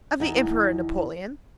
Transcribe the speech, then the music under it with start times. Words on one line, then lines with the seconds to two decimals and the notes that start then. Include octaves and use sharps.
Of the Emperor Napoleon?
0.20 E2 D#4